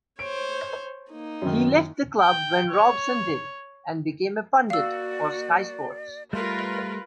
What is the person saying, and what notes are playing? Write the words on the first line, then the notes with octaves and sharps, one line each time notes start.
He left the club when Robson did, and became a pundit for Sky Sports.
C5 C#5 D7
A#3 D#4
F#2 D#3
G5
C#5
A#3 F#4 D5 F5 E6
G3 A3 F4 A#4 B4 C6